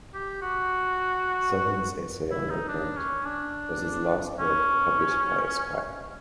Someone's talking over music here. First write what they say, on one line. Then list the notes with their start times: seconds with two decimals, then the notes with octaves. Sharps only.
Southern's essay on the event, was his last work published by "Esquire".
0.14 G4
0.42 F#4
2.31 E4
2.50 D#4
2.69 D4
2.97 C#4
3.25 D4
4.40 C#4